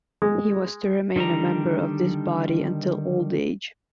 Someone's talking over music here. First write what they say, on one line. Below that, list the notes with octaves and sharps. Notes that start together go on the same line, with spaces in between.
He was to remain a member of this body until old age.
G#3
D3 D#3 G3 D4 A#5